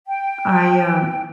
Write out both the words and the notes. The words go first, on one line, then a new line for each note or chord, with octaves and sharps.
I, um
G5